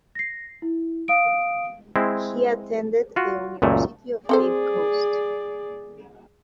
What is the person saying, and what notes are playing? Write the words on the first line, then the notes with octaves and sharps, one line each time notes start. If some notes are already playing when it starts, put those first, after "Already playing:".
He attended the University of Cape Coast.
A#6 C7
E4
F5 D#6 D7
G#3 C4 E4
F4 F#4
C#2 F#2 A#2 A3
C4 G#4 A4 C5 D5